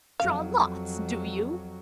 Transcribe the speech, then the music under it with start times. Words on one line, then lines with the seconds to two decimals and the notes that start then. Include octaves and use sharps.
Draw lots, do you?
0.20 F2 F#3 F5